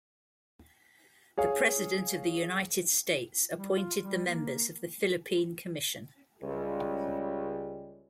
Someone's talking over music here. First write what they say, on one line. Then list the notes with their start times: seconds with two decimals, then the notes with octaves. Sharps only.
The President of the United States appointed the members of the Philippine Commission.
1.38 G#4 C#5 F5
3.55 G3
3.75 F4
3.99 G3
4.26 A#3
6.42 C#2 G3